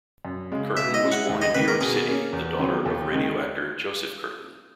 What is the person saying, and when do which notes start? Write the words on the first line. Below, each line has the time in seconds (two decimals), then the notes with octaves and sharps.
Curtin was born in New York City, the daughter of radio actor Joseph Curtin.
0.25 F#2
0.52 C#3 G#3
0.77 B2 E5
0.94 D#5
1.04 G#3 C#4 E4
1.12 F#5
1.29 D#2
1.42 D#5
1.55 D#3 A#3 B4
1.68 A#4
1.81 B2 G#4
2.08 A#3 C#4
2.33 E2
2.59 D#3 F#3 B3
2.85 D#2
3.12 D#3 G#3